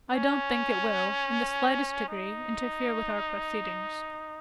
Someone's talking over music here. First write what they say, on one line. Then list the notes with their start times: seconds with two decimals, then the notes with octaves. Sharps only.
I don't think it will, in the slightest degree, interfere with our proceedings.
0.11 C#4
2.08 D#4